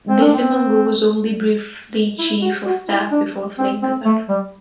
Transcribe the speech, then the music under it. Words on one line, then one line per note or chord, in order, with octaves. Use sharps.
Bizimungu was only briefly chief of staff before fleeing the country.
C4
D4
C4
E4
F#4
F#4
E4
D4
C4
C4
A3
G3